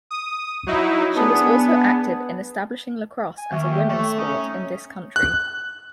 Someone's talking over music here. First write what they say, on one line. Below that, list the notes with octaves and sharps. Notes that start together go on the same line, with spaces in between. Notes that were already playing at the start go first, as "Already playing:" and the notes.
She was also active in establishing lacrosse as a women's sport in this country.
D#6
F#3 D#4 E4
B3 D4 G#4
G#5
D#2 C#4 E5
G4 E5
A3 C#5 E5
C#4 D#4
F#6